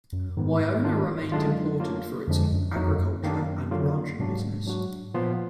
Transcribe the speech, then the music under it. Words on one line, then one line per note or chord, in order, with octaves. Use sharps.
Wynona remained important for its agriculture and ranching business.
F#2
G#2 D#3 G#3 B3
D#3 G#3 D4 F4
F#2 D3 G#3 D4 F4
F#3 A#3 D4 F4
F2 D3 F3 G#3 D4
F#2
F2 F#3 A#3 D#4 F#4
F#2
D#3 A#3 D4
D3 F#3 A#3 F4
G#2 B2 F#3 A#3 D4 F#4
F#3 D4 F#4
A#2 F3 B3 F4